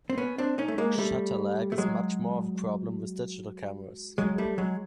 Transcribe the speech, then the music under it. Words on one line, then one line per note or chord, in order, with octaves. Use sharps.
Shutter lag is much more of a problem with digital cameras.
C4
B3 C#4
C4 D4
C#4 D#4
A3
G#3 A#3
G3 A3
A3
F#3 G#3
F#3 G#3
G3 A3
F#3 G#3